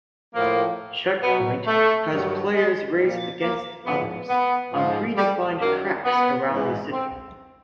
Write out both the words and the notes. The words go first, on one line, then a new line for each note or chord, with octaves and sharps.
Checkpoint has players race against others on pre-defined tracks around the city.
A2 F3 A#3
B2 F#3 B3
A3
G2 D#3 F#3
G#3
A#2 F3 G3
A#3
G#2 F3 B3
B3
G#2 F3
G3
F#2 D#3 F#3 A#3
B3
E3
G#2
C4